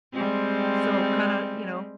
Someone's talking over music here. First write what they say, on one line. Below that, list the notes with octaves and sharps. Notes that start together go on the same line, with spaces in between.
So, kinda, you know
G3 G#3 C4